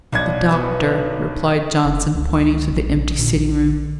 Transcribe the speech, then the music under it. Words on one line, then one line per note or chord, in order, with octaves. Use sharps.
"The Doctor!" replied Johnson, pointing to the empty sitting-room.
B1 D4 F#5 G5 G#6
B2 D#3 B3
F1
C#2
A#1
A#2
A#1